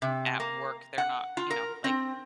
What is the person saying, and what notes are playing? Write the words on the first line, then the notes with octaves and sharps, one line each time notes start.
at work, they're not, you know, like,
C3
A#3
F#5
F4
A#4
C4